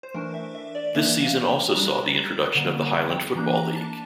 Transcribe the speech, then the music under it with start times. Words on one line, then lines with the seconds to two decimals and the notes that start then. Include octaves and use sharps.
This season also saw the introduction of the Highland Football League.
0.03 C5
0.14 E3 A3 D4 A#4
0.34 E5
0.55 E5
0.75 D5
0.94 E3 A#3 D4 E5
1.21 F5
1.48 G5
1.75 G3 D4 A#5
2.16 A#5
2.55 D3 G3 A#3
2.82 A#5
3.09 G5
3.35 E3 A#3 D4 A#5
3.57 A#5
3.76 A5